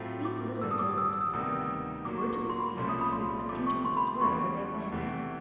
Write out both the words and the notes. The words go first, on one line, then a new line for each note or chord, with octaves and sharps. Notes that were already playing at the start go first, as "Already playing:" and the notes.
These little doors, by the way, were to be seen at frequent intervals wherever they went.
Already playing: A2 F#3 A3 C4 F4
D6
D6
D6
G2 D3 G3 E6
D#6
D6
D#6
E6
D#6
E6
D2 C3 D#3 G3 B3 D#6
A#2 F#3 A#3 D6
C#6
D6
C#6
C6
B5
C6
C2 A#2 F3 A3 C#4
D#6
B5
C6
C3 F3 A3 D6
C#6
C6
B5
C6
E2 C#3 E3 G3 C#6
E2 C3 E3 A3